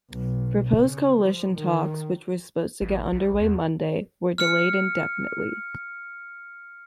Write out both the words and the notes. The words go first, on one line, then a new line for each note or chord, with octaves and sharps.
Proposed coalition talks, which were supposed to get under way Monday, were delayed indefinitely.
B1
C#3
F3
D#3
A1
A#1
E2
F6 C#7